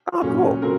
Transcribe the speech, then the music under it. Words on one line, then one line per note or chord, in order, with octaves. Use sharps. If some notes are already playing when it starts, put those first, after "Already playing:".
Oh, cool.
A#2 F#3 C#4
C#3 F#3 C4 A#4